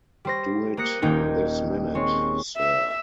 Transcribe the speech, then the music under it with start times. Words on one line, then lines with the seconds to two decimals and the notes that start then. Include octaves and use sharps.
Do it this minute, sir!
0.25 G3 C5 A#6
0.77 A#3 D#6 F#6 A#6 C#7
1.02 D#1 A#3 D#4 G5 G#6
1.95 G#3 C4 C#5
2.57 E5